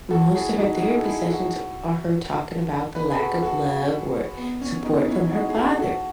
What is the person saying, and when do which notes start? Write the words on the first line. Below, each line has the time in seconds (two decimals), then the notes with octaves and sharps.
most of her therapy sessions are her talking about the lack of love, or support, from her father.
0.11 F#4 A4
0.35 E4 G#4
0.58 D#4 F#4
0.76 F#4
0.82 E4 G#4
0.98 A4
1.05 E4 G#4
1.29 F#4 A4
2.95 B4
3.10 G#4 B4
3.19 F#4 A4
3.42 F#4 A4
4.37 B3
4.61 C#4
4.84 B3 D#4
5.08 C#4 E4
5.32 D#4 F#4
5.49 G#4
5.56 F#4 A4
5.80 F#4 A4